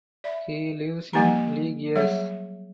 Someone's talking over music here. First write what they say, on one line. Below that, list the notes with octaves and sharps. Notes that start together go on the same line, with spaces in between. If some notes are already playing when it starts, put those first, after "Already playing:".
He lives in le Gers.
D5 E5 B5
F3 G3 A#3 D#4 G4 A#5
F#3 G3 G#4 C#5 E5